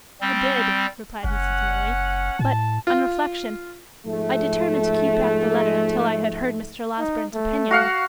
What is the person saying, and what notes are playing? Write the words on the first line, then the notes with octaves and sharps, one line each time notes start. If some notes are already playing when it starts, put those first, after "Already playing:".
'I did,' replied Mrs. Maylie; 'but, on reflection, I determined to keep back the letter until I had heard Mr. Losberne's opinion.'
G3 C4
F#1 C#4 F#5
A2 A5
F4
G#2 F3 G#3 A3
D#4
A3
F#4 F5 F#5